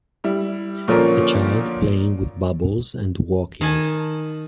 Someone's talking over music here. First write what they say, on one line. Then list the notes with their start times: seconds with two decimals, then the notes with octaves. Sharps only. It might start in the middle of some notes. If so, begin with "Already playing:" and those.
A child playing with bubbles and walking.
0.24 G3 E4
0.88 A#2 D3 F3 C#4 A#4 C#6
3.61 D#3 G#5 A5